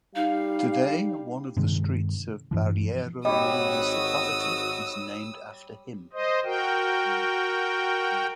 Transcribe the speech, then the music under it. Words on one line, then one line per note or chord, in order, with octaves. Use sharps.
Today, one of the streets of Barreiro municipality is named after him.
G3 D#4 F5
G2 C3 D#3 G#3
G2 E3 F3
G#1 G3 F#4 C#5 D#5 D#6 E6
C5 D#5
F#4 A#4 G5